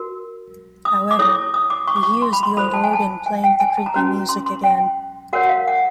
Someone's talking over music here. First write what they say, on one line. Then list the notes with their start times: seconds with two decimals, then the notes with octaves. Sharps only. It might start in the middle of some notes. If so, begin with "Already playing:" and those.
However, he hears the old organ playing the creepy music again.
Already playing: F#4 A#4
0.85 D#6
1.11 D6
1.19 E4 A4 C#5 D#6
1.54 D#6
1.70 D6
1.87 C#6
1.96 D6
2.03 C#6
2.22 C6
2.33 B5
2.43 C6
2.57 F4 A4 C5 B5
2.74 A5
2.84 G#5
2.93 A5
3.26 G#5
3.44 G5
3.60 G#5
3.77 A5
3.86 A#5
3.94 C#4 F#4 B4
4.29 C6
4.46 C6
4.64 G5
5.33 F#4 A#4 C#5 F#5
5.49 F5
5.67 F#5